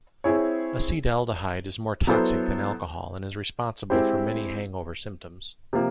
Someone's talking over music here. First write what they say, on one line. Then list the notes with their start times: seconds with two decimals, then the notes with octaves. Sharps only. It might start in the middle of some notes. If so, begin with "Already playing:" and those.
Acetaldehyde is more toxic than alcohol and is responsible for many hangover symptoms.
0.24 C4 E4 G#4 C#5
2.07 F#3 B3 E4 A4 C5
3.90 G#3 C4 E4 G4 C5
5.73 C3 F3 A#3